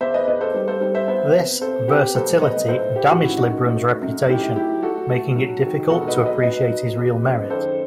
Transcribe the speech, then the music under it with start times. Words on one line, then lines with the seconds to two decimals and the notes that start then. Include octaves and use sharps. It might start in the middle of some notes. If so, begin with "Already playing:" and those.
This "versatility" damaged Lebrun's reputation, making it difficult to appreciate his real merit.
0.01 E2 C5 E5
0.14 B4 D#5
0.27 E2 B4 D#5
0.41 A4 C5
0.54 G3
0.68 A4 C5
0.81 G3
0.95 C5 E5
1.08 B3 C5 E5
1.35 C3
1.61 C3 A4 C5
1.88 B3 G4 B4
2.15 B1 A4 C5
2.42 B1 B4 D#5
2.68 A2 A4 C5
2.96 A2 G4
3.10 F#4
3.22 F#1 E4
3.37 D#4 F#4
3.49 A3
3.76 A3
4.02 F#2
4.29 A3 E4 G4
4.56 F#3 E4 G4
4.82 F#3 F#4 A4
5.09 A3
5.36 F#3
5.63 D#3
5.90 E1 F#4 A4
6.08 B4 D#5
6.16 F#3
6.25 B4 D#5
6.43 F#3 B4 D#5
6.70 F#3
6.97 E2
7.23 F#1
7.50 D#3 A4 C5